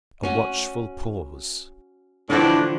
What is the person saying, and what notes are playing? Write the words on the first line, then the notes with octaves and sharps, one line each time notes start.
A watchful pause.
C#4 F#4
A2 D3 E3 F3 D4